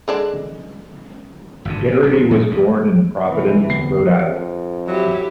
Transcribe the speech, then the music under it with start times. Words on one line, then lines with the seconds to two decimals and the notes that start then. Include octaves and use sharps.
Gerety was born in Providence, Rhode Island.
0.08 D3 G#3 D4
1.65 G#1 G2 D3
1.88 A#2
2.03 D#1 C2 G#2 D4
2.15 E1
2.31 A#2 G#3 A3
2.50 E1 D2 G#2
3.29 C3 E3
3.67 D1 E2 C7
4.28 F2
4.88 F#3 E4 G4